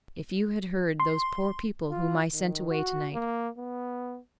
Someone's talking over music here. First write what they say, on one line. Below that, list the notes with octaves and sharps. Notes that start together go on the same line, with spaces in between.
If you had heard those poor people whom I sent away tonight!
C6
F4
D#3
F#4
A#3
B3